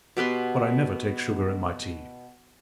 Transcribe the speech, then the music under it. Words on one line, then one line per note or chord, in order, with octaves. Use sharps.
"But I never take sugar in my tea."
B2 G4 B4 C6